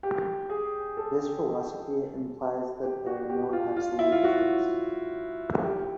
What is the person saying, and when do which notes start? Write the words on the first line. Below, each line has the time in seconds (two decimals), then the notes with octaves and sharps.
This philosophy implies that there are no absolute "truths".
0.03 G4
0.50 G#4
0.97 A4
2.83 G4
3.06 F#4
3.30 G4
3.53 F4
3.76 F4
3.99 E4
4.12 F4
4.24 F#4
5.63 G4